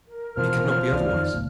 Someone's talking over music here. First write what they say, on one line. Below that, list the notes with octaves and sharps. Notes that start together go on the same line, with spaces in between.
It could not be otherwise.
A#4
B2 E3 F3 F6
C#2 D#3 E3 D5
F2 D#3
G#1 C#2 A#2